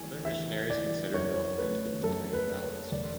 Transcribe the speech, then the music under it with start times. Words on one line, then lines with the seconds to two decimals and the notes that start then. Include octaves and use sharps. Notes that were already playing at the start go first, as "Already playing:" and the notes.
Other missionaries considered both men to be "mentally unbalanced".
Already playing: G#1 E3 G#5
0.25 E3 E5
0.69 E3 D5
1.14 F#2 C#5
1.58 A3 B4
2.02 F#2 A4
2.33 B4
2.48 F#2
2.62 C#5
2.92 E1 D5